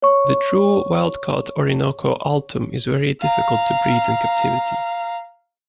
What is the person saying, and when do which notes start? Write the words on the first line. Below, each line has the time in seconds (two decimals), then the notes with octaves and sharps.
The true wildcaught Orinoco altum is very difficult to breed in captivity.
0.02 C#5 C#6
3.21 F5 A#5